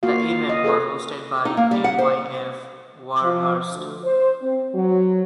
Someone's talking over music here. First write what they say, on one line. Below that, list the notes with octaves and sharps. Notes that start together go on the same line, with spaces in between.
The event was hosted by Myf Warhurst.
A#3 F4 F#4 F5
F4
D#5
G#4 A4 B4
D#4
A#3
G3
F#5
C5
F3
D2
C5
C4
F#3